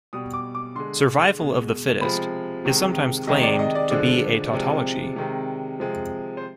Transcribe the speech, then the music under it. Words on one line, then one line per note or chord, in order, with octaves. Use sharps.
"Survival of the fittest" is sometimes claimed to be a tautology.
B2 G3 D#6
D6
D6
D3 G#3 C6
B2 G#3
C3 F3 G#3 B5
C3 D#3 G#3
C3 D#3 G#3 D#5
D5
D#5
D5
D3 F3 G#3 D5
C3 F3 G#3
C3 D#3 G#3
C3 F3 G#3
C5